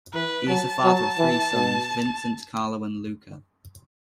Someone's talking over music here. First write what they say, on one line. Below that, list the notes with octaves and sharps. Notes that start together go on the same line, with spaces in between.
He is the father of three sons, Vincent, Carlo, and Luca.
E3 B4
F#3 A5
F#3
E3
B2